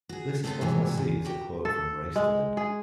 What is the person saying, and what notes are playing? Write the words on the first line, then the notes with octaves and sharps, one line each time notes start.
This is what I see is a quote from Raistlin.
F#4 G#4
A3 B3 C4 G#4 A4
G#2 C3 E3 F#3 G3
E2
F#4 G4 G5
A4
G#3
G#4